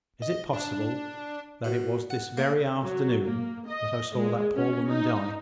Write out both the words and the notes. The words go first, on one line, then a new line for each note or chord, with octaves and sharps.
"Is it possible that it was this very afternoon that I saw that poor woman die?"
D#5
D4
B2
F#5
A#3
F#3
A#3
D#5
G#3
C#4
D#4